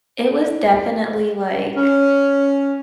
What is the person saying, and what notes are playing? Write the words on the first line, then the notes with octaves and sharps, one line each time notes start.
it was definitely, like
C#4